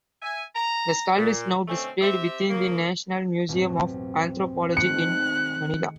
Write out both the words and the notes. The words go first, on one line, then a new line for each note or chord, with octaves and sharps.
The skull is now displayed within the National Museum of Anthropology in Manila.
E5 G#5
A#5
A#2
B2 D3 A3 C4 C#4
C4 G4 E5
C#3 A#3
A1 F#2 B2 C4
D#3 G#3 A3 F#6 C#7